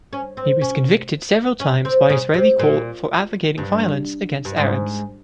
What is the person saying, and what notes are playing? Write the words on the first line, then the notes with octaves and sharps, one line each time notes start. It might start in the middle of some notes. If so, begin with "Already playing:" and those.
He was convicted several times by Israeli courts for advocating violence against Arabs.
C#4
C4
C#4
C#4
C4
C#3
C3
A#2
G2
G2
G#2